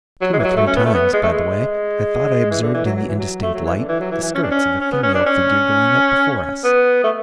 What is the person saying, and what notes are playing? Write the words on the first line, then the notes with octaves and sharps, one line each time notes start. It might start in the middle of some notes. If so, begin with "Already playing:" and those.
Two or three times, by the way, I thought I observed in the indistinct light the skirts of a female figure going up before us.
F#3
G#3
E3
F#3
A3
C#4
B3
A3
B3
G#3
A3
G#3
E3
D3
E3
F#3
F#3
E3
F#3
A3
F#3
E3
D3
E3
F#3
E3
E3
C#4
D4
C#4
C#4
B3
C#4
D4
C#4
B3
A3